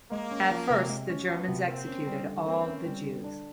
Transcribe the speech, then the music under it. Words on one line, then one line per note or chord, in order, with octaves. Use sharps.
At first the Germans executed all the Jews.
G#3 A#3
C#4
F3
C3
G#3
C#4
F3 B3
C3
A#3 C4
C#4
G3
D3
A#3 C4
C#4
G3
D3
D4